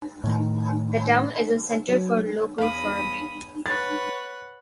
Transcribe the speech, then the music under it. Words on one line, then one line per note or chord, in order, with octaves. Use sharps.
The town is a center for local farming.
A2 D#3
F#3
E2 F5 B5 D#6
B4 C#5 F#5 A6